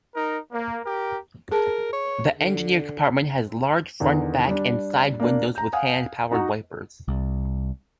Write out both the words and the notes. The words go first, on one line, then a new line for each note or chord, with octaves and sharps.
The engineer compartment has large front, back and side windows with hand-powered wipers.
D#4 A#4
A#3
G4 A#4
G#4 A#4 A5
C#5
D3
E2 D3 D#3
G3 D4
A#3 D4 D5
A#5 G6
F5 F#5 G#5 D#6
D#4 F#4 F#5 A#5
C2